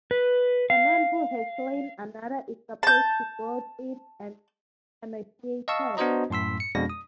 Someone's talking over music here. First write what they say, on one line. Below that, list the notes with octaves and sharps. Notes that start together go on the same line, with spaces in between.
A man who has slain another is supposed to grow thin and emaciated.
B4
F5
A5 G6
D#5 F5 A5 C#6 E6
B3 D4 F#4 C5 D#5 A#5
F#2 A2 C6 E6 B6
C#7
F2 B2 G#3 D4 A#6
D#6